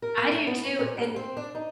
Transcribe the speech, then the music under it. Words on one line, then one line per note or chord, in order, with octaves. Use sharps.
I do, too, and
A#4
A#3
A3
B3
C#5
A#2
G2
C4
D4
D#4